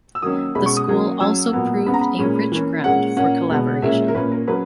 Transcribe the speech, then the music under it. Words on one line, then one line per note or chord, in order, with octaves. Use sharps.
The School also proved a rich ground for collaboration.
E6
D#3 F#3 A#3 C#4 D#6
B2 G#3 C#4 B5
C#6
D#6
D#3 F#3 A#3 C#4
C#3 F#3 C#4 E6
A#2 F#3 B3
C#3 G#3 B3 B5
A#5
B5
A#2 G#3 C#4
E3 A#3 C#4
A#2 G#3 C#4 F#5
A#2 A#3 C#4 F#5
B2 G#3 B3
A#2 G#3 C#4 E5
A#4
A#2 A#3 C#4 B4
A#4
C#3 F#3 C#4 B4